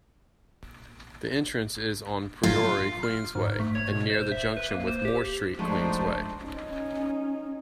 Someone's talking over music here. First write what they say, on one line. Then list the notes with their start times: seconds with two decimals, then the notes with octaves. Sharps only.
The entrance is on Priory Queensway, and near the junction with Moor Street Queensway.
2.43 F4
3.03 F6
3.35 G#2
3.60 A3
3.75 C#5
3.91 B2
4.10 C5
4.32 E5
4.57 B4
4.71 A#3
4.87 C5
5.05 G4
5.59 F3 G#3 A3 D4 D#4 F#4 C5
6.41 C#4 D#4